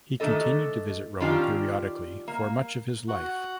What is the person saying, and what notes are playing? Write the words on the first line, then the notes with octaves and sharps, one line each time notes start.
He continued to visit Rome periodically for much of his life.
D#3 A3 D4 A4 D#5
D#3 C#4 D4 F4 G4
A#3
F#4